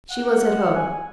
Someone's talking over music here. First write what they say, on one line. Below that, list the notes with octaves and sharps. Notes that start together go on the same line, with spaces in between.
She was at home.
F#5
G#5